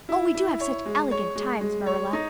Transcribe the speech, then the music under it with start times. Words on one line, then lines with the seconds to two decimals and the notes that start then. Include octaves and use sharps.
Oh, we do have such elegant times, Marilla.
0.09 E4
0.34 E4
0.60 C#5
0.86 G#3
1.11 C#5
1.36 G#3
1.61 G#3
1.86 C#5
2.13 D#4